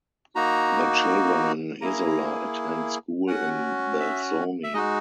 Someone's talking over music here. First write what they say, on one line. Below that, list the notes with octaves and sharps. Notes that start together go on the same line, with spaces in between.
The children in Isola attend school in Belzoni.
A#3 D#4 F#4 A#5
A#3 E4 G#4 A#5
C#4 F#4 F#5
E5
E5
G#3 D#4 F#4 D#5